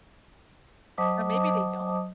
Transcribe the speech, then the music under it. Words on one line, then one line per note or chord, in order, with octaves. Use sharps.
Or maybe they don't.
F#3 C5 D#5 A5 D6 D#6